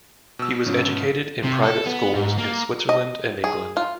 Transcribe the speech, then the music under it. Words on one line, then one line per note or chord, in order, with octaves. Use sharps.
He was educated in private schools in Switzerland and England.
B2 E6
G#2 F3 C#4
C3
A4
B3
G#2
A#3
D#5
G#4
F4